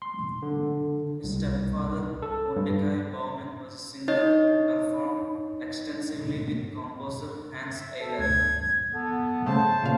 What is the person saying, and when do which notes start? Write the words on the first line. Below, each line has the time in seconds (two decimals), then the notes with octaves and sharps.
His stepfather Mordecai Bauman was a singer who performed extensively with composer Hanns Eisler.
0.02 C6
0.42 D3
1.24 C2
2.22 A4
2.56 G2
4.08 D#4 C#5 D#5
7.74 E5
8.00 A4
8.19 D2 G#6
8.93 B3 A4
9.46 C#3 A3 C5 A5
9.83 A#2 C#3 F5